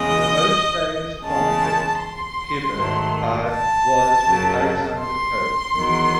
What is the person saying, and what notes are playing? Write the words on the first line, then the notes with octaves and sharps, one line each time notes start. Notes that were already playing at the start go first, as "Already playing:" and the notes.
The most famous conflict Cibber had was with Alexander Pope.
Already playing: E2 C#3 G#3 D#5
E2 C#3 G#3 A5
C6
G#2 D#3 F#3 A3
A5
F#2 C#3 F#3
C6
E2 D#3 F#3